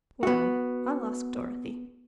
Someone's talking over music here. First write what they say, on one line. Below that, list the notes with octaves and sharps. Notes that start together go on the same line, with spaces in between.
"Well, I'll ask Dorothy."
B3 F#4